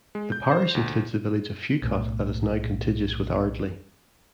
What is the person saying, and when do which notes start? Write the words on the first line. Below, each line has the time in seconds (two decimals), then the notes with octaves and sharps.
The parish includes the village of Fewcott that is now contiguous with Ardley.
0.15 G#3
0.32 G6
0.51 C5
0.75 D2
1.82 B1 A2